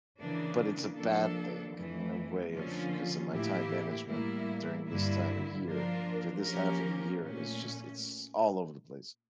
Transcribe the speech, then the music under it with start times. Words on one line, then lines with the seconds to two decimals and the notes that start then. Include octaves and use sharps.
but it's a bad thing in a way of ‘cause of my time management during this time of year for this half of the year, it's just, it's all over the place,
0.19 C#3 E3 A#3 D4
0.97 F3 A#3 D4 A4
1.75 F2 E3 A3
2.53 D3 F3 A#3 C#4 F4
3.31 A2 E3 A#3 E4 G4
4.09 A2 G3 A#3 E4
4.88 G2 D3 G3 A#3 E4
5.66 F3 A#3 D4 F4 A#4
6.44 F3 A#3 C#4 G4 A#4
7.22 A#2 A3 C#4